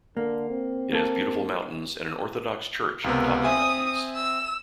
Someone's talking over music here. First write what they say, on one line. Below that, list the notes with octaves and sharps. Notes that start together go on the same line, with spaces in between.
It has beautiful mountains and an Orthodox church on top of the mountains.
D3 A#3
C4
A#3 A4
C#2 C3 B3 A#4
C4 E5 G#5 D#6
E6